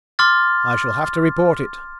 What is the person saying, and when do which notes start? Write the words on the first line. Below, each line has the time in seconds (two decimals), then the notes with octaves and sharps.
"I shall have to report it."
0.19 C6 D6 F6 A6